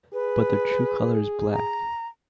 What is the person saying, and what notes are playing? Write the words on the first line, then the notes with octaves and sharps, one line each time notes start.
But their true color is black.
G#4 B4
A#5